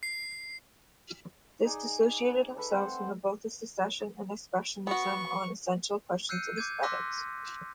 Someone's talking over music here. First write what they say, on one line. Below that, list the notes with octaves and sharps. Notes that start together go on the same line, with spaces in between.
They disassociated themselves from both the Secession and Expressionism on essential questions of aesthetics.
C7
D#4 G#4 D5
A4 B4 B5
C4 C5 F#5
B3 F#4 C#6
E6 F#6 G6 C7 C#7 D#7
D6 G6 G#6 D#7
C6 D6 E6 F#6 A#6 B6